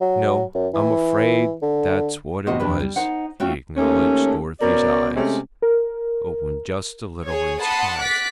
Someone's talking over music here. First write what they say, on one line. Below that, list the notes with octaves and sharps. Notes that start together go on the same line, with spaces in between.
"No, I'm afraid that's what it was," he acknowledged Dorothy's eyes opened just a little in surprise.
F#3
F#2
E3
D3
E2 A2 C3 F#4 C5 D#5
F2 C3 D4 B4
G3
D#4 C5 F#5
A3 C4 C#4 F4 F#4 G5
D#2 A3 C#4
B2 C#4 A#4 D5
C3 G#3 A3 C#4
A#4
G#4 C#5
F#5 A5 B5 C6 D#6
D6 F#6 A6 B6